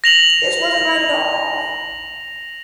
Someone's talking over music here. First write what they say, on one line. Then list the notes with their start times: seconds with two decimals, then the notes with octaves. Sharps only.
This wasn’t right at all.
0.04 A#6 F7 F#7